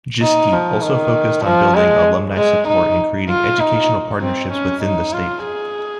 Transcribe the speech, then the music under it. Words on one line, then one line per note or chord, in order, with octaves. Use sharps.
Jischke also focused on building alumni support and creating educational partnerships within the state.
D#4
F3
D#3
F3
G#3
G#3
D#4
F4
D#4
C4
C#4
D#4
F4
G#4